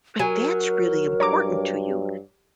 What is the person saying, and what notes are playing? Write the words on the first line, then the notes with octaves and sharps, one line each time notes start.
but that's really important to you.
F#3 A#4 G#5 D#7
G2 C#5 A#5 D6